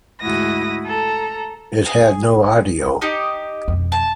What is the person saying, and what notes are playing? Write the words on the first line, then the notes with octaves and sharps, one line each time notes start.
It had no audio.
D2 G#2 E4 F#4 D#6 A#6
A4 A#5
G#4
D#4 G4 D#5
F2 B2
A5